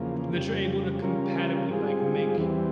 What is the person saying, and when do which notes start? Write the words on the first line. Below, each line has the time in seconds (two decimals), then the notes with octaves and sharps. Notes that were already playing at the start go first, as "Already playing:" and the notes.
that you're able to compatibly, like, make
Already playing: E2 C#3 F3 A#3
0.35 F2 C#3 G3
1.02 C#3 G3 C#4 F4 A#4
1.69 G#2 G3 C4 F4 G#4
2.37 E2 E3 G3 C4